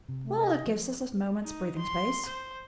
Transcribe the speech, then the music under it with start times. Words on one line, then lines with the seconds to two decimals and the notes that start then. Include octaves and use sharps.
Well, it gives us a moment's breathing space....
0.09 C3
0.24 A3
0.40 D#5
0.67 F3 F#3
1.43 D#4
1.79 C6
2.26 C5